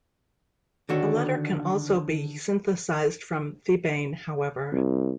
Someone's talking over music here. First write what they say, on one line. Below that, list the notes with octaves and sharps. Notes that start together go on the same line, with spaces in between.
The latter can also be synthesized from thebaine, however.
D3 D#3 F#4 A4 C#5
C2